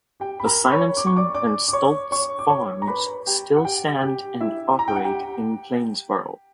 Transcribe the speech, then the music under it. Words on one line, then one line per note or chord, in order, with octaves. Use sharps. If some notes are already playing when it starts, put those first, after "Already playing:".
The Simonson and Stults Farms still stand and operate in Plainsboro.
G4 G5
B5
A#4 A#5
B5
C#5 C#6
D6
C#6
D5 D6
D5 D6
D6
C#5 C#6
C#5 C#6
D6
C#5 C#6
A#5
B4 B5
G4 G5
F#5
G4 G5
G4 G5
E4 E5
A#5
G5
F#5
G4 G5